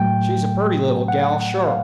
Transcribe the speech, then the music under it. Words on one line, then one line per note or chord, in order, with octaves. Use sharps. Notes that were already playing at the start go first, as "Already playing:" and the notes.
"She's a purty leetle gal--shore."
Already playing: A2 F#3 A3 G5
F#5
F5